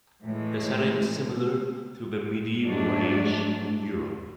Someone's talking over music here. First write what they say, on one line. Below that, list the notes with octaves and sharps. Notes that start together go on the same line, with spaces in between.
The setting is similar to the medieval age in Europe.
A2 E3 G#3
G#2 F#3 A3 D4